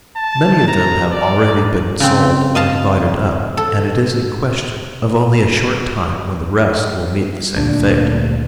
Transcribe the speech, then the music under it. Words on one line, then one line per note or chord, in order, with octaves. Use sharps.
Many of them have already been sold or divided up, and it is a question Of only a short time when the rest will meet the same fate.
A5
A#5
D5
C#3 C4
D#5 F5 A5
A4
D2 A#2 D4